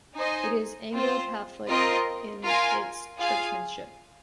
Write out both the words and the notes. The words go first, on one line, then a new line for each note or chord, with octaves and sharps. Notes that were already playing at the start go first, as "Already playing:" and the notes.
It is Anglo-Catholic in its churchmanship.
D#4 C5 D#5 G#5
C4 F4 C5
C4 F4 A#4 D#5
F4 A#4 F5 G#5
F4 G#4 F5 G#5